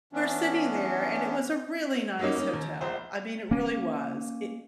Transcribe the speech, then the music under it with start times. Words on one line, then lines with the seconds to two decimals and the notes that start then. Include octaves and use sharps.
we're sitting there and it was a really nice hotel, I mean, it really was, it
0.13 E3 B3 C#4 D4
2.19 F#3 G3 A#3 C#4 D#4
2.36 A#3 C#4 D#4
2.53 D#2
2.81 A#1 C5
3.51 A#3 C#4